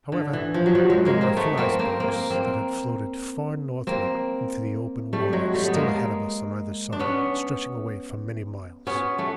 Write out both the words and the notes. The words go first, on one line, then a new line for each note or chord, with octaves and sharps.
However, there were a few icebergs that had floated far northward into the open water still ahead of us on either side, stretching away for many miles.
D3
E3
F3
F#3
F3 G3
F#3 G#3
G#3 A#3
A#3 C4
A3 B3
A#3 C4
A#3 C4
A#3 C4
A#3 C4
A#3 C4
G3 A3
F#3 G#3
G3 A3
B3
G#3 A#3
D4
B3 C#4
B3 C#4
A3 B3